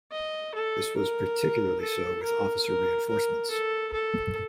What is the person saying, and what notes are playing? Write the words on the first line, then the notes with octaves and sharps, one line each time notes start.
This was particularly so with Officer reinforcements.
D#5
A4
A#4
A4
A#4
A#4
A#4
A4
A4